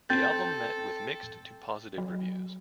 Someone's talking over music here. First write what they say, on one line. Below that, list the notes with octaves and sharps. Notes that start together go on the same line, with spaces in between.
The album met with mixed to positive reviews.
C4 A4 G5 G6 A6
F#3